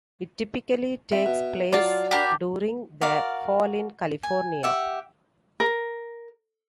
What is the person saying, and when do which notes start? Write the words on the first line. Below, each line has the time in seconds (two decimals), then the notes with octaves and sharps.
It typically takes place during the Fall in California.
1.12 C4 E5
1.26 B2
1.73 F#3 F4 D5 A5
2.11 D4 F#4 G4 A#4 B5
3.01 F#4 A#4 D5 F5
4.23 G#5
4.63 G4 E5 F#5
5.60 A#4